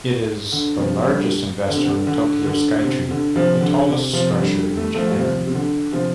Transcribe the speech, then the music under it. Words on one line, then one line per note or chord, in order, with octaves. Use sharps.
It is the largest investor in the Tokyo Skytree, the tallest structure in Japan.
D3
C3 F3
D3 G3
D3
C3
D3
D3
D3
C3
D3
C3 F3
D3
C3
C3 F3
D3 G3
A3
F3 A3
G3
C3 F3
C3
D3
C3 F3